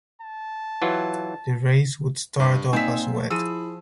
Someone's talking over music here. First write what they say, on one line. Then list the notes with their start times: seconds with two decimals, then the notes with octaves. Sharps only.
The race would start off as wet.
0.22 A5
0.82 E3 F#3 F4
2.40 G2
2.73 A#2 C4 D#4 E5 G#5 B6
3.10 A3
3.30 F3 E4 G#4 E6 D#7